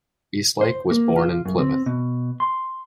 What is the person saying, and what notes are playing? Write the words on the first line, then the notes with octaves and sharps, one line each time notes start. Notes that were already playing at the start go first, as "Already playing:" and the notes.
Eastlake was born in Plymouth.
C5
A#3
F4
F#2
C4
B2
C6